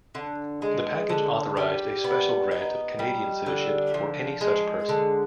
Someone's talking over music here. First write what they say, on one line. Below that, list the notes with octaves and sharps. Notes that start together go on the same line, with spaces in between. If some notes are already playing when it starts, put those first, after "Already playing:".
The package authorized a special grant of Canadian citizenship for any such person.
D3
G#3
D3
G3
B3
D#4
G3
D3
F3
G#3
D3